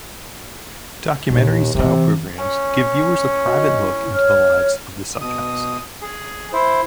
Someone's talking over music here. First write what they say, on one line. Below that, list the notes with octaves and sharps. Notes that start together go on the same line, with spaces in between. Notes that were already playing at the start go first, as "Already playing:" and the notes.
Documentary-style programs give viewers a private look into the lives of the subjects.
A#1 D#2
C3 D#3 E3
C#4
F#4 D#5
E4
C#5 F6
B2 D#6
G#4
E4 C5